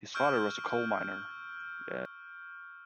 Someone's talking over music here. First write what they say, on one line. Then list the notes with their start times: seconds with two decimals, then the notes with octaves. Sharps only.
His father was a coal miner.
0.14 C#6 E6 F6 G6 D7